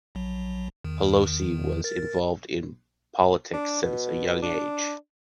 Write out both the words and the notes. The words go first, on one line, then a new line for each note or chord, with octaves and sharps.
Pelosi was involved in politics since a young age.
A#1 F#3
E2 D#3
A#4 A6
D4
B2
D4